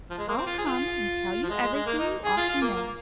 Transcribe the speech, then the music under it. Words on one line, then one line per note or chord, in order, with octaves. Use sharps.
I'll come and tell you everything you ought to know.
F3
G#3
A#3
C4
F4
G#4
F4
F3
G#3
G#3
G#3
A#3
D#4
G#4
F4
F4
A#3
A#3